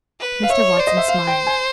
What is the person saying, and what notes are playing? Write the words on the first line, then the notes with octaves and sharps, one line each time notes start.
Mr. Watson smiled.
B4
F5
C#5 E5
C5 D5
D#5
E5
F5
G5
G#5